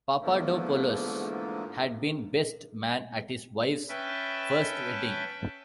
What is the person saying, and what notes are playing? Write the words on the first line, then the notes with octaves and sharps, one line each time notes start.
Papadopoulos had been best man at his wife's first wedding.
E2 G#2 D3 F3 A3 A#3
C#4 B4 E5 G5 A5